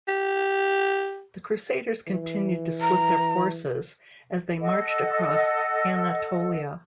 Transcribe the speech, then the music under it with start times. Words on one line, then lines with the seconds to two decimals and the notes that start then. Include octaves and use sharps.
The Crusaders continued to split their forces as they marched across Anatolia.
0.08 G4
2.08 E3
2.81 A#5
4.61 A4 D#5 F#5